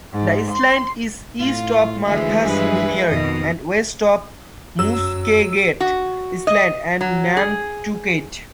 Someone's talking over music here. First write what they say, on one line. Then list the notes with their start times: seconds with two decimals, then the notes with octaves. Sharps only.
The island is east of Martha's Vineyard and west of Muskeget Island and Nantucket.
0.13 G#2
0.51 C6
1.39 A2 F4 F5
2.06 D2 E3 F3 G#3 G#4 E5
2.44 G2 G#4 B4
3.09 F2 B2 D#3 D#5
4.79 F#2 F#3 E6
5.80 F#4
6.47 D#5
7.01 F#3
7.37 G#4